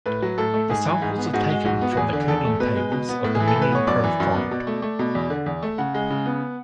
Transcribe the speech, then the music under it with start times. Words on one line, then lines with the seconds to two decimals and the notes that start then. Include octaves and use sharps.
The samples are taken from the kerning tables of the Minion Pro font.
0.06 A2 B4
0.22 F#3
0.38 A2 A4
0.54 A3
0.69 G#2 G#4
0.86 E3
1.02 G#2
1.18 B3
1.33 G#2 F#4
1.49 G#3
1.65 G#2 F#4
1.81 B3
1.92 F#4
1.97 E2 G#4
2.13 D3
2.28 E2 A4
2.45 A3
2.60 B2 B4
2.76 G#3
2.92 B2
3.09 B3
3.24 A2
3.35 G#4
3.40 E3
3.48 A4
3.56 A2
3.62 B4
3.72 B3 C#5
3.87 F#2 D5
4.04 E3
4.20 F#2
4.35 B3
4.51 B2
4.67 A3
4.82 A3
4.99 B2
5.15 E2
5.30 D3
5.46 E2
5.62 A3
5.78 C#3 F#5
5.94 G#3
6.10 C#3
6.26 B3